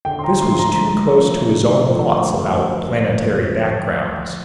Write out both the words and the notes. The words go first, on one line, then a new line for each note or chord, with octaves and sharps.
This was too close to his own thoughts about planetary backgrounds.
D3 G5
C6
A#5
F3 A3 C6
A#5
D3
F3 A3
D3
F3 A3